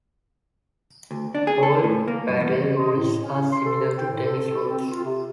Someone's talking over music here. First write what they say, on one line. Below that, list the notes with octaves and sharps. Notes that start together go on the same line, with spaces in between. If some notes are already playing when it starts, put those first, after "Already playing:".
All paddle rules are similar to tennis rules.
D2
D4
G#4
A4
A2
A#3
G2
E2
D#5
A2
C#4
C6
A4
G5
A2
A4
C4
F4
C3